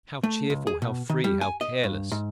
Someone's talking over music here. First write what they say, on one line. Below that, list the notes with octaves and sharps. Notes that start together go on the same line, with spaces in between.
How cheerful, how free, how careless!
A3
C#2
G#4
B2
D#3
G3
G#5
D#5
G2
G#2